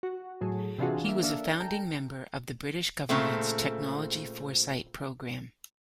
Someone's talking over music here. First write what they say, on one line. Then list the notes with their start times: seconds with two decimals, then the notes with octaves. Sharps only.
He was a founding member of the British Government's Technology Foresight programme.
0.03 F#4
0.41 A2 F#3 G#4 A4
0.79 C3 E3 D4 F4 F#4 G#4
1.04 A#3 E5
1.22 A#3 D4 A4 E5 F5
1.60 A4 G5 A#5
3.09 A#2 C#3 A3 C4